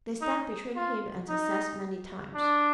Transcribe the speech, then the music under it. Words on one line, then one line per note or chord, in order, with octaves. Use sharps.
They stand between him and success many times.
D#4
F4
D#4
D4